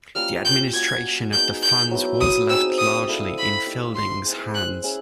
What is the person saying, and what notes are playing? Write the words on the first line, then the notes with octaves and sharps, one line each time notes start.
The administration of the funds was left largely in Fielding's hands.
G3 A#3 C#4 F4 F6
G6
A#3 C#4 F#4 G#6
G#3 B3 D#4 G6
G6
F#3 B3 E4
D#6
C4 D#4 G#4 E6
D#6
E4 A4 D5 F5
B5
A#3 D#4 G4
C6
G#3 C4 E4
F#6
C#4 E4 G#4